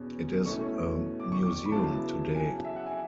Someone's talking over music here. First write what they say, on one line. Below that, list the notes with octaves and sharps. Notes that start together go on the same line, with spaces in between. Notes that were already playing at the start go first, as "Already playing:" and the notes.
It is a museum today.
Already playing: E2 B2 C#4
B2 A3 C#4 E4 C#6
D6
C#6
D6
B5
C#3 F#3 B3 E4 A5
G#5
E5
F#5
G#5